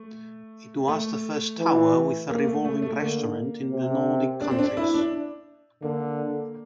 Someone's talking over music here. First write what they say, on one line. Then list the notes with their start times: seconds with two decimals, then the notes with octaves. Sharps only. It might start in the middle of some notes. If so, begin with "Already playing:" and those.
It was the first tower with a revolving restaurant in the Nordic countries.
Already playing: A3
0.88 A3
1.59 E3
2.30 A#3
2.47 A3
2.65 A3
2.82 A3
3.00 D3 A#3
3.71 C3
4.41 D4
4.51 C4
4.59 D4
4.77 E4
4.94 D4
5.82 D3 A#3